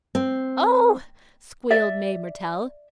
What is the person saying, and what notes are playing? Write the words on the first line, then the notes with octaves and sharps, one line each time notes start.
"Oh!" squealed Mae Mertelle.
C4
D5 E5